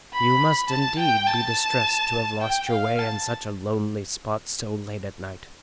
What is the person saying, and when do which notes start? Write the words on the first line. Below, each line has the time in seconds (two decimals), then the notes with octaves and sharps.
You must indeed be distressed to have lost your way in such a lonely spot so late at night.
0.13 B5
0.70 A5
0.99 G5
1.27 A5
2.41 G5
2.71 F5
2.99 A5